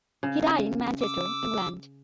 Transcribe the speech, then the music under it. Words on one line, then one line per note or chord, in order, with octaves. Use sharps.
He died in Manchester, England.
C#3
D6 E6